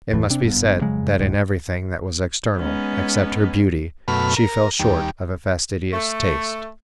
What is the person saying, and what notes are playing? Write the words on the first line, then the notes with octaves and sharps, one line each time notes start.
It must be said that in everything that was external, except her beauty, she fell short of a fastidious taste.
F#1 D#2 E3 A3
C3 C4 D4
F#1 G2 B3
F2 C#3 F#3 G#3
D#1 C2 G#2
G#3 B3 C#4 D#4 B4
F#2 B2 A3 B5 F6
A#4
D#2 G3
A3